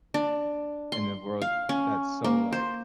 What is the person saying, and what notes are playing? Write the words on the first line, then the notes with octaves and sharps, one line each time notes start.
In a world that's so, like
D4
C6
F5
C#4
A#3
C5